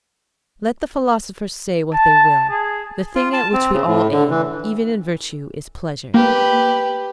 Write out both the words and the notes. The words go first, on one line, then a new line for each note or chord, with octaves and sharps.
Let the philosophers say what they will, the thing at which we all aim, even in virtue is pleasure.
A5
G#4
F4
A5
C4
C#3
A2
D3
E3
A#3 G4 B4